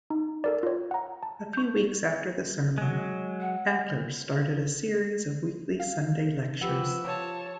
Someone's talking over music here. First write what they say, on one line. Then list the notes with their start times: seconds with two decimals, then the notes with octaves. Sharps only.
A few weeks after the sermon, Adler started a series of weekly Sunday lectures.
0.10 D#4
0.44 A4 A#4 D5
0.63 F4 C#5
0.91 F#5 A#5
1.23 A5
1.53 C#6 G6
2.78 F#3 G#3
3.41 F#5
5.80 F5
6.61 F3 G4 B4 F#5 E6
7.04 F4 C#5 A5